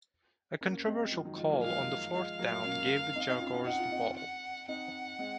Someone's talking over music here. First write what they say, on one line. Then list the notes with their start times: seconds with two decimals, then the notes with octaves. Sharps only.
A controversial call on fourth down gave the Jaguars the ball.
0.61 A#3 C#4
0.86 G#3 C4
1.12 F3 G#3
1.25 D#3 F#3
1.38 F3 G#3
1.50 F#3 A#3
1.63 F3 G#3 F5
2.14 F3 G#3 F5
2.39 F#3 A#3
2.64 A#3 C#4
3.15 C4 D#4
3.29 C4 D#4
3.41 C#4 F4
3.54 C4 D#4
3.66 D#4 F#5
3.79 F4
3.92 C4 D#4
4.17 F#5
4.68 C4 D#4 F#5
5.19 G#3 C4